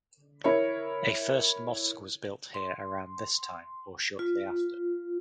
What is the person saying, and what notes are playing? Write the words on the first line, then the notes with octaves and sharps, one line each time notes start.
A first mosque was built here around this time or shortly after.
E4 A#4 C#5
C6
F4